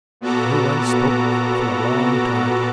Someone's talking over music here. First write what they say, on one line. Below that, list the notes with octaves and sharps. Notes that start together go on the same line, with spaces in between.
No one spoke for a long time.
A#2 B3 F#4 A4 A#5 D6